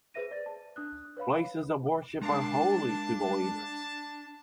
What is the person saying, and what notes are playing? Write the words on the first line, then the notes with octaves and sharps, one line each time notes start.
Places of worship are holy to believers.
G#4 B4 C5 E5 A#6 D#7
D5 A6
A5
D4 D#6 F#6
B4 C#5 F5 B5
G#3 D4 A#4 F5 A5